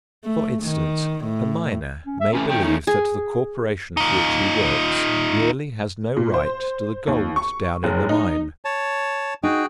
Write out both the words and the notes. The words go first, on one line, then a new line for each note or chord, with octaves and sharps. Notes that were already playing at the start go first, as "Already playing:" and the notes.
For instance, a miner may believe that the corporation for which he works really has no right to the gold down in the mine.
A3
D#3
A2
C#4
E5
C3 E3 A3 C#4
D#3 A3 C#4 G5
D#4
G#4
D#4 F4
A#2
C5
D#2
C#6
F#1
D#4
C#5 A5
D#4 F#4 G#4 G5